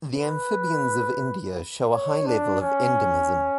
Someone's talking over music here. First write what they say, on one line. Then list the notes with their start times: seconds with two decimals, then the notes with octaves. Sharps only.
The amphibians of India show a high level of endemism.
0.16 B4
1.92 C#5
2.26 D4
2.61 C#4